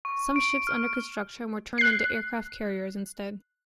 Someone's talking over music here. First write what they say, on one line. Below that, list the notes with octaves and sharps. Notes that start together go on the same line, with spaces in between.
Some ships under construction were turned into aircraft carriers instead.
C#6
D7
F6
F#6 C7